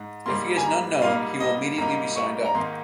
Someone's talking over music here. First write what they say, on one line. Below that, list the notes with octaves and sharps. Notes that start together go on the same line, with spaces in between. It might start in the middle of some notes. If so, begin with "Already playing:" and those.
If he is an unknown, he will immediately be signed up.
Already playing: G#2
G#2 G3 A#3 C6
G#5
A#5
G#2 G3 A#3 D#4 F5
D#5
G#2 G3 A#3 D#4 A#5
C#6
A#5
G#2 D#3 A#3 D#4 C6